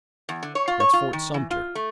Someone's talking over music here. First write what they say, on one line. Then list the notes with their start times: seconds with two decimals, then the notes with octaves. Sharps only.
That's Fort Sumter.
0.29 E2
0.43 D3
0.55 C#5
0.68 F4
0.80 C#5
0.93 F4
1.13 D#3
1.34 E3
1.51 F4
1.75 A3